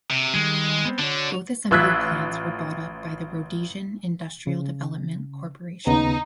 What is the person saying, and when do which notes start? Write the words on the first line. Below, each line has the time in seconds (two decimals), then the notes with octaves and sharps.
Both assembly plants were bought up by the Rhodesian "Industrial Development Corporation".
0.11 C3
0.34 D#3 G3 G#3
0.85 B3 C4
0.99 D3 D4 F#4 C#5
1.71 A1 F4 E6 F#6 G#6 B6
4.47 C#3
5.87 D#2 C#3 B3 D#4